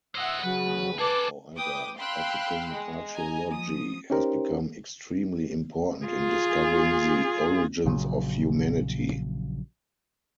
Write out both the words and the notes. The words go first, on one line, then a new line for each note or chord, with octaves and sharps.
Now, however, African archaeology has become extremely important in discovering the origins of humanity.
C5 D#5 E5 F#5
C#3 F#3 B4
G#4 A4 B4 A5 D6
B4 G5 D6 D#6
F5 G5 B5 C6 E6 F#6
G#3
D#5 G#5 A#5
F3 D#6
C#4 D#4 G4 A#4 C5
F4 G#4
A#1 A#2 C#3 F#3